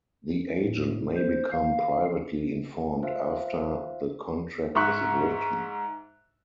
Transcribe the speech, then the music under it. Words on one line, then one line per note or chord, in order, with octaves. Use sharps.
The agent may become privately informed "after" the contract is written.
A2
C5
F5
F4 C5 E5 F5
G#2 E5 C#6 F#6